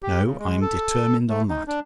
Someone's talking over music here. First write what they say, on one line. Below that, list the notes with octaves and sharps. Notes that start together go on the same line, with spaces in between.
No: I'm determined on that.
G4
C#3
G#3
A4
A3
D#4
D4